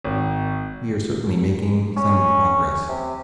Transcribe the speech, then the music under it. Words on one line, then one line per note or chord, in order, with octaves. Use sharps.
We are certainly making some progress.
G#1
C#4
C3